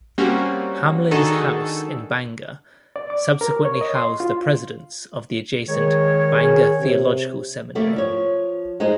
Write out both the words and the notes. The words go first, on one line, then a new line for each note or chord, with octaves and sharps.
Hamlin's house in Bangor subsequently housed the Presidents of the adjacent Bangor Theological Seminary.
G3 A#3 C4 C#4 F#4
D#3 D4 D#4 F#4 G#4 A4
D5
D6
A#4
C#5
D#5
C6
F4
D#3 G#3 C#5
G#4
C3
G3 A3 A#3 D5
F3 C#5
G#3 D#4 G#4 C5 D#5